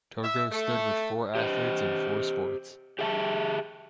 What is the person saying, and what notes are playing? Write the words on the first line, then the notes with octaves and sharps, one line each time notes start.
Togo stood with four athletes in four sports.
E5
A3
G4 C5 D#5
G4 G#4 E5 G#5 A5